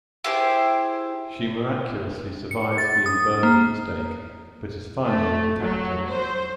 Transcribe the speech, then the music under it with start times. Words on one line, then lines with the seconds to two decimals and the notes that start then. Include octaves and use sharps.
She miraculously survives being burned at the stake, but is finally decapitated.
0.24 E4 G4 G#4 C5
2.51 C#7
2.78 A6
3.06 D#6
3.43 A#3
5.05 A3
5.60 F#3
6.10 C5